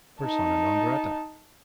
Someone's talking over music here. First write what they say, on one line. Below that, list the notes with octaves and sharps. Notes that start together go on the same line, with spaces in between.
Persona non grata.
D#4 A5